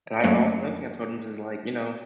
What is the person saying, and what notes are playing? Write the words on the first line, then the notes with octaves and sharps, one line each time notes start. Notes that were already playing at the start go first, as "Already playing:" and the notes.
and I also nothing, I told him, was just, like, "You know,
F#2 F#3 A3 A#3